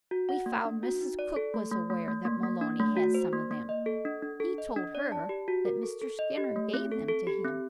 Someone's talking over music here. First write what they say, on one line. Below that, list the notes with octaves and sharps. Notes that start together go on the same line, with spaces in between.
We found Mrs. Cook was aware that Maloney had some of them--he told her that Mr. Skinner gave them to him.
F#4
F#5
A#3
D4
F#4
D#4
D5
A4
A3
A3
A3
A3
A#3
A#3
D4
A3
F#4
C5
A#3
A#3
D#5
A4
D4
D4
A4
D#5
D4
D5
A5
G4
F#4
A#4
A4
A4
D#5
G4
A3
C4
A4
A4
G4
C4